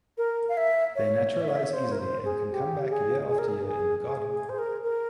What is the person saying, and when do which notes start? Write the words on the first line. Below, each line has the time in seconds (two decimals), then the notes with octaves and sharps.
They naturalize easily and can come back year after year in the garden.
0.18 A#4
0.49 F5
0.57 E5
0.95 C#5
1.35 C#5
1.42 E5
1.48 C#5
1.56 E5
1.63 C#5
1.73 C5
1.92 A#4
1.99 C5
2.25 G#4
2.51 G4
2.90 G#4
3.28 G#4
3.39 A#4
3.48 G#4
3.67 G#4
4.06 G#4
4.32 G#4
4.49 C5
4.58 A#4
4.84 A#4